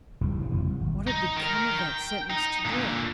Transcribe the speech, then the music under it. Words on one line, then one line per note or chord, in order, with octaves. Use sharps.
What had become of that sentence to death?
F1 C2 C3
C2 G#2 C#3
F#1 F2 B2 E3
C2
G#1
D#4
D#3 A#4
G5
D#4
A#2 D3